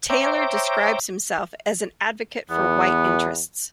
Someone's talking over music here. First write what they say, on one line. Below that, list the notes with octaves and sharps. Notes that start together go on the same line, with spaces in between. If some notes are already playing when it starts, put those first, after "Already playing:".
Taylor describes himself as an advocate for white interests.
C5 C#5 E5 G5 A#5 D6
E2 B3